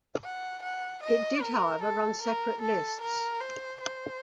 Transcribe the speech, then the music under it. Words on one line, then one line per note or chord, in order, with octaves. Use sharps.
It did however run separate lists.
F#5
F#5
D#5
A#4
A4
A#4
A4
A#4
C5
C5